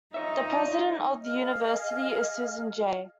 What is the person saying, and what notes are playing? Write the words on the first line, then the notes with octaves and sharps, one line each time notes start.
The president of the university is Susan J.
D#4 F4 C#5 E5
G#4 D#5 F5 F6